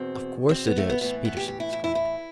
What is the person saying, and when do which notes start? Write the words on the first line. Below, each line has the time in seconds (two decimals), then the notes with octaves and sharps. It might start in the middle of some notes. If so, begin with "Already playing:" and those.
"Of course it is," Peterson exclaimed.
Already playing: E2 B2 C4
0.49 C4
0.67 B3
0.78 A3
0.90 B3
1.01 A2 E3 B3
1.25 B3
1.37 G4
1.48 G4
1.60 E4
1.73 E4
1.84 E4
1.95 E4